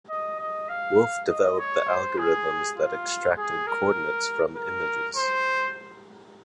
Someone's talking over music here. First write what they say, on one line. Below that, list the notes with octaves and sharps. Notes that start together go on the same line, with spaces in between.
Wolf developed the algorithms that extracted coordinates from images.
D#5
D#5
F5
D#5
C#5
C5
G#4
F4
G#4
A#4
A#4
C5